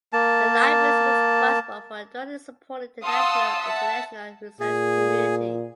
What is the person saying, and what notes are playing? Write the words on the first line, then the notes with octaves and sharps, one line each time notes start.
The library is responsible for directly supporting the national and international research community.
A#3 A5
F5 F#5 A5 C6 D#6 E6
E5 F#5 A5
A#2 G#4